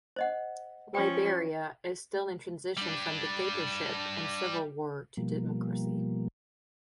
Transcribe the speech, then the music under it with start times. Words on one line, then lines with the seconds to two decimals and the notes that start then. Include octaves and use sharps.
Liberia is still in transition from dictatorship and civil war to democracy.
0.16 C5 D#5 F#5
0.95 F3 C#4 G5
2.77 G3 D4
5.17 B2 F3 G3 A#3